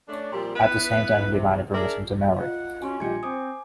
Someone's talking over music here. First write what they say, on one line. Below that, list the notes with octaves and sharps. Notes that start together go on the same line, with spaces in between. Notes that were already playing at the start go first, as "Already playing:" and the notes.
At the same time he demanded permission to marry.
A3 C#4 D4
A#2 F3 G3 C4 G4
B3 E4 B4
E2 C3
D4 G#4 A#4 D5 E5
F4 D#5 F5 F#5
C#4 F#4 G#5 C6
A#1 G3 G4 D#5 G#6 C#7
C4 C5 G#5 D6 D#6